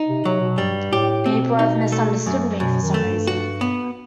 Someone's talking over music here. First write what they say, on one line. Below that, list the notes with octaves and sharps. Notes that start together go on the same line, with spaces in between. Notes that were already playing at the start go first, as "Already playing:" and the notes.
People have misunderstood me for some reason.
Already playing: D#4
C3
C3 F#3
B2
G2 G3
A2 G4
B2 C4
D#4
A3
F#2
F#2 B2
D#3
A3
G2
F#4
B3